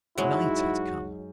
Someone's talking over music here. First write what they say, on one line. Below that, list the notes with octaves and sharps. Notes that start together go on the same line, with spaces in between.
Night had come.
F#2 F#3 G#3 D#4 E4 F#4